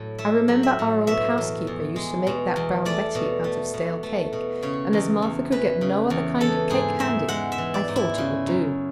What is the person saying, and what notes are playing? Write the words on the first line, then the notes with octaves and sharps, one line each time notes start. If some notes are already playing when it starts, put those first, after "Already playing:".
"I remember our old housekeeper used to make that Brown Betty out of stale cake, and as Martha could get no other kind of cake handy I thought it would do."
Already playing: A2 F#3
A3 E5
F#3
E5
A2
B2 E5
E2
E2
G#3
B2
E2
A3 D5
B2
A3
B2
A3
B2
C#3 C#5
E2
E2
E3 B4
C#3
E2
E3 A4
G#2 G#4
G#2 E5
G#3 F#5
E5
E3
D5
G#2
E4
C#3
F#2